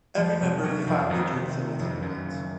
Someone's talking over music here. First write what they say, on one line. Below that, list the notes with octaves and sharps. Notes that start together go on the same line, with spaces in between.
Every member of the family drinks a little of it.
F2 F3
C3 F3
C3 F#3
F2 F3
F2 D#3
C3
C3
F2
F#2
C#3